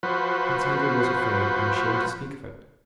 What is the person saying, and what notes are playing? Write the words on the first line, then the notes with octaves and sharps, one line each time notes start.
Prince Andrew was afraid and ashamed to speak of it.
F3 F#4 B4 C5